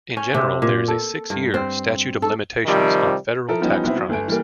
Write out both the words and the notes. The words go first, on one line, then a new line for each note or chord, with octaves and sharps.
In general, there is a six-year statute of limitations on federal tax crimes.
C#4
C3
A#2
A4
G2
C4
A4
C3 D#3 F3 G3
F3 E4 A4 A#4
E3 F3 G3 B3 C#4 D#4
B1 B3 C4 E4
F#3
G1 A3 G#5 D7
E3 G3 A3 A#3